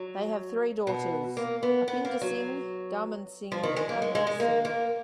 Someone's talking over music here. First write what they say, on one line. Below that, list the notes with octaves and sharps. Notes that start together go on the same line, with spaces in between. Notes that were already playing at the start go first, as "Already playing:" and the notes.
They have three daughters, Upinder Singh, Daman Singh and Amrit Singh.
Already playing: F#3
B2
A#3
B3
B3
A#3
F#3
F3
D#3
G#3
A#3
G#3
G#3
G#3
A#3
A#3